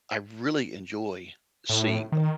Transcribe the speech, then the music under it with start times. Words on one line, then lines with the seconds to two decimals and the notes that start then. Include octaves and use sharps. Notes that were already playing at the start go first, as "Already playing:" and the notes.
I really enjoy seeing them.
1.69 A2
2.12 D#3